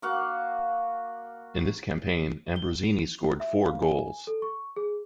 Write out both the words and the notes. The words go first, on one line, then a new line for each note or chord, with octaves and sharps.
In this campaign, Ambrosini scored four goals.
A#3 F#4 F5 F#5
G7
F7
E5
F5
G#5
A4
C#6
G#4